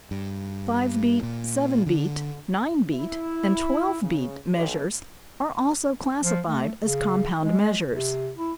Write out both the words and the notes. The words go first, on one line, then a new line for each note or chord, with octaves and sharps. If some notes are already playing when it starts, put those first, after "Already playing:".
Five-beat, seven-beat, nine-beat, and twelve-beat measures are also classified as compound measures.
G2
A#2
D3
E4
C#3
B1
F3
A3
C#3
G#3
C3
E4